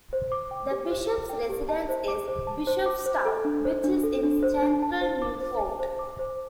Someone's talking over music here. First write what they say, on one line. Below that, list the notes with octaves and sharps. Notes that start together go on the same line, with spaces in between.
The bishop's residence is Bishopstow, which is in central Newport.
C5
D6
G5
G4
C5
D6
G5
G4
A5
C5
D6
C5
A5
C5
D6
C5
A4
D4
C5
D4
A4
D4
C5
D4
A5
C5
D6
C5
A5
C5
D6
C5